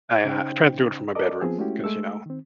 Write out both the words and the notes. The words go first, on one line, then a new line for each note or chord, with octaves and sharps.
I, uh I tried to do it from my bedroom 'cause, you know,
C#3 C#4 D#4 C5 G5
A4 A#4 D5 D#5 D6
F3 B3 C4 F4 G#4
G#3 A3 C#4 E4 F#4 G4
G#3 A3 E6
D#3 C4